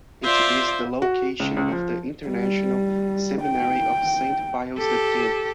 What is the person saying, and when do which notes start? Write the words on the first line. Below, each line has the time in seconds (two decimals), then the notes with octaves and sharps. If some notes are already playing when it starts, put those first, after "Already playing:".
It is the location of The International Seminary of Saint Pius the Tenth.
0.23 F4 C5 D5 E5
1.02 F#4
1.40 C#2
1.57 C#2
1.72 F3
2.28 G3
3.44 G5
4.78 G4 A4